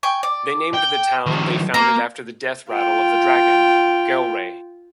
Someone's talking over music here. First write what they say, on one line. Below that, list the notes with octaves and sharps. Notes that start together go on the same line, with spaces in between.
They named the town they founded after the death rattle of the dragon: Gelre!
G5 G#5 C#6
D5
G5
D#3 F3
A#3 A#5
F4 G5